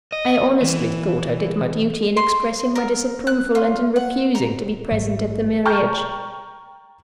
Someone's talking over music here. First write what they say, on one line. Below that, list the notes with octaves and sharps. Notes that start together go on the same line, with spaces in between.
I honestly thought I did my duty in expressing my disapproval, and in refusing to be present at the marriage.
D#5
E3
C6
A#4
F#6
F4
F#5
A#5
A1 G#2 G3 A3
G5 A5 A#5 C#6 F6 G6